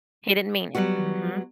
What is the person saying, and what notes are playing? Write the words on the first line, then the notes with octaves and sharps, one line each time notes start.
He didn't mean it. Mhm.
F#3 G3 B3 F#4